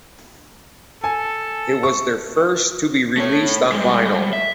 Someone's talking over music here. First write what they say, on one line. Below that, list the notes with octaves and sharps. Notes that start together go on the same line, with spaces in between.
It was their first to be released on vinyl.
A4 G#5
C#6
A3 C#5
G3 G#3
E5